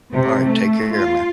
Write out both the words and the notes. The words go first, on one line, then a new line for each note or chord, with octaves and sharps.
Alright, take care, man.
C3
A3
F4